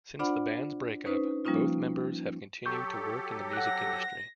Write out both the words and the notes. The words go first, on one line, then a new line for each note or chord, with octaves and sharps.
Since the band's break-up, both members have continued to work in the music industry.
D4 F4 C5 D5 F#5 B5
C#4 D#4 B4 C5
F3 G3 A#3 C#4 D#4 F4
F#3 G4 A4 C#6 G6
F#5 F#6 A#6